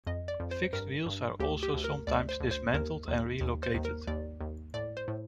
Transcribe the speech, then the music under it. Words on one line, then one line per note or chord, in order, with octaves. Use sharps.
Fixed wheels are also sometimes dismantled and relocated.
F2 D#5
D5
F2
C5
G2 A#4
G2
D2 G4
G4
D2
A#4
D2 D5
C5
D2
C5
D#2 A#4
D#2
D#2
C5
D#2
A#4
D#2 D5
D#2
A2 D5
C5
A2